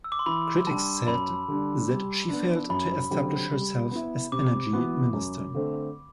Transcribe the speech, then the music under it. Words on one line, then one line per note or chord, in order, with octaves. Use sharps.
Critics said that she failed to establish herself as energy minister.
E6
D6
C6
E3 B5
G3 D4 G4 A5
F#2 B5
D3 G3 D4
G3
B3 D4
F#2 B5
D3 F#3 C4 G4
G3
B3 E4
C3 D6
E3 B3 F#4 B4
F#2
D3 A3 C4